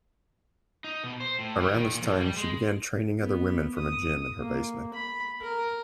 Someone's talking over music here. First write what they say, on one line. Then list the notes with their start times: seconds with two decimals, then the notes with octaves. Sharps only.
Around this time she began training other women from a gym in her basement.
0.84 D#4
1.04 B2
1.20 C5
1.39 A2
1.60 G3
1.72 D#3
1.90 A#2
2.02 F2
2.20 G3
2.37 G#3
3.20 B3
3.77 D#6
4.38 A#3
4.93 B5
5.41 A#4